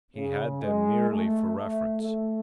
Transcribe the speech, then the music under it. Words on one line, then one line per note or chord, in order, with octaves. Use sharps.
He had them merely for reference.
C#3
G#3
A3
A3
A3